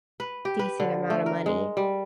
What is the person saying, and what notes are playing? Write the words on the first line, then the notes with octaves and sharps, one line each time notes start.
decent amount of money
B4
G4
B4
D3
A3
A#4
G#3
G3